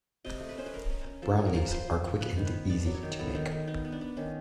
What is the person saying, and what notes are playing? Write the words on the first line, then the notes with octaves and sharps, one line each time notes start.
Brownies are quick and easy to make.
C3 D#5
A3
B4
C#4 C5
B4
C#4 A#4
C#4
C#4
F3 A4
C#4
A#4
F3
F3 B4 C5
F3
F3
B3 B4
D#3
B4
B3
B3 D5
F#3
C#5
D#3
B3 A4
D#3
D#3
B3 D#4
B3
D4
B3
D#3 C#4